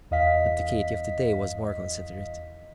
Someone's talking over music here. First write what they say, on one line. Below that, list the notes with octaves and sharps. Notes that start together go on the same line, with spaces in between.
But the Katy of to-day was more considerate.
E2 D#5 F5 B6